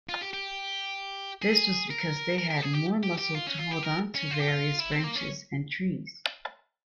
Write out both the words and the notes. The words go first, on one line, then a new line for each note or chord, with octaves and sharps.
This was because they had more muscle to hold onto various branches and trees.
F4
G4
G4
G#4
A#4
A#4
A#4
G4
G#4
G4
G4
G4
F4
C#4
F4
G4
A#4
C#4
F4
G4
F4
E4
C4
A#3
C#4